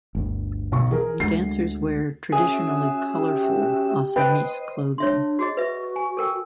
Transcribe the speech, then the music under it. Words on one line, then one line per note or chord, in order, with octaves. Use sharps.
Dancers wear traditionally colorful Assamese clothing.
G1 D2
B1 C#6
E3 G#4 A#4
D2 G#3 C7
C#4 F#4 G#4 E5
G4
B4 C5 D#5 G5
D4 C#5 E5 C6
F#4 G#4 D#5
F#4 B4 E5
G#5
A4 A#4 G5